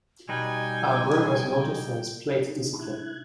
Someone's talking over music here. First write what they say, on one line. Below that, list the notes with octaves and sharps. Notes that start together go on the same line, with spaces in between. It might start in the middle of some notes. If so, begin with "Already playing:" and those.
Abreu was noted for his plate discipline.
B2 G3 D#4 B4 G5 G#5
D4 D#4
C3 E4 F#6 G#6